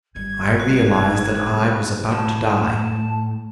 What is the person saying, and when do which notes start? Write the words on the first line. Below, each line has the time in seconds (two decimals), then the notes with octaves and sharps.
I realized that I was about to die . . .
0.15 G1 G3 G#6
0.60 F#6
1.02 G#2
1.48 C2
2.12 A2 A5